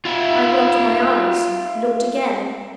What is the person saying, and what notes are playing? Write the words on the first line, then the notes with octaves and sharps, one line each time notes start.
I rubbed my eyes; looked again.
F4 E5